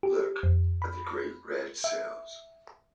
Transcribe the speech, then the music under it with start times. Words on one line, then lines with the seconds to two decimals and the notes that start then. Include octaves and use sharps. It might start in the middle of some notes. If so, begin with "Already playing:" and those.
Look at the great red sails!
0.03 G4
0.43 F2
0.82 B5
1.84 E5